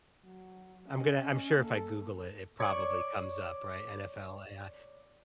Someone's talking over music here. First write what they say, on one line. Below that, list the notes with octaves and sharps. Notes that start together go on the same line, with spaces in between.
I'm gonna I'm sure if I Google it, it probably comes up, right, NFL AI
F#3
C#4 D#5
A#3 A4
C#5 D5 C#6